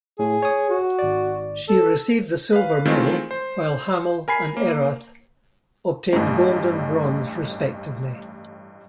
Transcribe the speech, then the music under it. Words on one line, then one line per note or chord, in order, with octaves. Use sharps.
She received the silver medal, while Hamill and Errath obtained gold and bronze respectively.
A2 G#4
C#5 D#6
F#4
G#1 D5
A4
B4 F5
D#3 E3 G#3 A3 C4 F4
C5
A#4 G#5 B5 C7
A#3
A1 G2